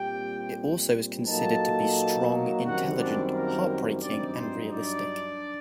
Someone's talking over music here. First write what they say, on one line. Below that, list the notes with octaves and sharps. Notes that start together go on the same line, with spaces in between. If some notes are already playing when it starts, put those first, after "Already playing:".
It also is considered to be strong, intelligent, heart-breaking and realistic.
Already playing: A#2 G3 C4 G4 G5
A#2 F#3 A#3 D#4 A4 A5
F#2 D#3 G3 C4 F#4 F#5
D4 D5
A#3 A#4
G2 F#3 C4 D4 D#4 D5
C4 C5
D4 D5